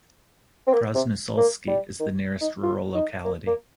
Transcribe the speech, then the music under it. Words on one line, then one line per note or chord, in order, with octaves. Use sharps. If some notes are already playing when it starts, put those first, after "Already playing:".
Krasnousolsky is the nearest rural locality.
C4
A#3
C3
A#3
G3
D#3
D#4
F4
D#4
A#3
A#3